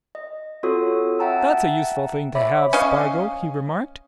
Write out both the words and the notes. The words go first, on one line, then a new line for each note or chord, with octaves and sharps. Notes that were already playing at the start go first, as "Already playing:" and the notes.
"That's a useful thing to have, Spargo," he remarked.
D#5
C4 F4 F#4 A4 C#5 D#6
E5 F#5 G5 A5 A#5 E6
C#5 E5 B5 D6
C#4 D#5 F5